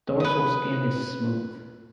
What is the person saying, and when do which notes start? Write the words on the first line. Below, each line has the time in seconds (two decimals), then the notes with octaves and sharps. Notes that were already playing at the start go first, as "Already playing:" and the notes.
Dorsal skin is smooth.
0.20 B4 D#6